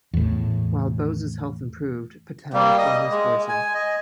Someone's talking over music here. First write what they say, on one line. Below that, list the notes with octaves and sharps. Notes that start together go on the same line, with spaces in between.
While Bose's health improved, Patel's illness worsened.
E2 A2
G3 A#3
D#5 D#6
G#3
G#5
D#5